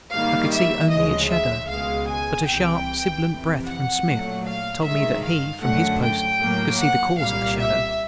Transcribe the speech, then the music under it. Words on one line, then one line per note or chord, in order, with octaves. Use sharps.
I could see only its shadow, but a sharp, sibilant breath from Smith told me that he, from his post, could see the cause of the shadow.
G#2 D#3 G3 A#3 F5
E5
D2 C#3 F3 G#3 D#5
E5
C#2 B2 G#3 F5
G#5
C2 C3 E3 G5
F2 C3 E3
F#5
A#2 F#3 A3
F5
G2 D#3 G#3 E5
F5
F#2 D3 F#3 A3 F#5
G5
A2 F#3 A#3
F#5
C2 A#2 G3 A#3 F5
E5